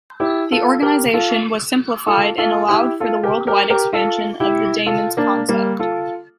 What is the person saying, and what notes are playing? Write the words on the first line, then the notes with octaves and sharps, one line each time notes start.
The organization was simplified and allowed for the worldwide expansion of the Damon's concept.
E4 G4
F4 A4
G4 A#4
F4 A4
F4 A4
F4 A4
E4 G4
F4 A4
G4 A#4
G4 A#4
G4 A#4
F4 A4
E4 G4
F4 A4
A#3 D4
G3 A#3
F4 A4